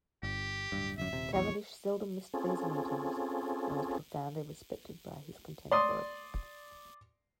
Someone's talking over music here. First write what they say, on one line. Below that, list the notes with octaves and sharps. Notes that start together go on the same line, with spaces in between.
Cavendish seldom missed these meetings, and was profoundly respected by his contemporaries.
G1 G4
D1 G#1 G2
G1 F#2 E5
D#1 C3
A#1 E2 C#5
C4 C#4 F4 G#4 A4
D5 C6 D#6